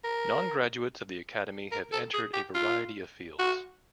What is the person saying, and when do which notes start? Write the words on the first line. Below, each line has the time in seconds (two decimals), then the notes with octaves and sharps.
Non-graduates of the Academy have entered a variety of fields.
0.04 A#4
1.72 A#4
1.92 A4
2.14 G#4
2.34 G4
2.55 F4
3.39 F#4